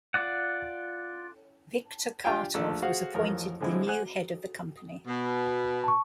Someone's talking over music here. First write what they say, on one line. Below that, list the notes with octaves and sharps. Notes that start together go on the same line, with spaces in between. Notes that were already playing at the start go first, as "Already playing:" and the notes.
Viktor Khartov was appointed the new head of the company.
F4 D5 F#5
D4 F4 G4 F5 G5 G#5
A#1 A3 D4 A4
F#4 G#4 C5 F5 F#5
A1 F2 A#4
D3 F3 G#3 C4 E4
C5 F#5 G#5 F#6
B2
A5 C#6